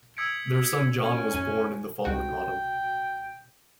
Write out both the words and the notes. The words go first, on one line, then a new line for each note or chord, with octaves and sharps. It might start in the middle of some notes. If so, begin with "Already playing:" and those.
Their son John was born in the following autumn.
D#6 E6 G#6 B6 C#7 D7
C#4
F#2 G#5
C2 F#4 G5